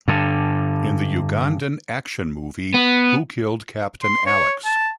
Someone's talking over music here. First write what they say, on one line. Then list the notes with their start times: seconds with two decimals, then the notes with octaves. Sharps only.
In the Ugandan action movie Who Killed Captain Alex?
0.08 G2 D3
2.74 B3
4.03 C6
4.26 C#5
4.65 A5